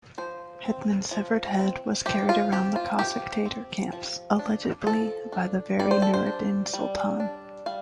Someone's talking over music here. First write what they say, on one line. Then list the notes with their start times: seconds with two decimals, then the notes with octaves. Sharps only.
Hetman's severed head was carried around the Cossack-Tatar camps, allegedly by the very Nuradin-Soltan.
0.18 F3 C5
0.65 C4
1.11 F3
1.59 C4
2.06 F3 G4
2.29 F4
2.52 C4 G4
2.76 F4
2.99 F3 G4
3.46 C4
3.93 F3
4.39 D4
4.86 F3 A4
5.32 D4
5.79 G3 D5
5.91 C5
6.02 A4
6.14 C5
6.26 D4
6.73 G3
7.20 D4
7.66 G3 F5